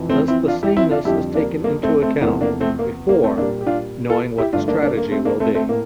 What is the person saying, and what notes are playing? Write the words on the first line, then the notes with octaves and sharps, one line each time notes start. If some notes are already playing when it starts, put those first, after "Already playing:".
Thus the sameness is taken into account "before" knowing what the strategy will be.
Already playing: F2 E3
A3 C4
C4 E4
D4 F4
E4 G4
C4 E4
D4 F4
F2 D3 G3 E4 G4
A#3 D4
A#3
A3 C4
A3 C4
E2 C3 F3 A3 A#3 D4
A#3 D4
A3 C4
A#3
A#3
A3 C4
A#2 G3 A#3 D4
G4
D4 F4
F4 A4
E4 G4
G2 D3 A3 D4 F4
A#3 D4
A#3 D4
A#3
A3 C4
A#3 D4
A3 C4
A3 C4
A2 A#3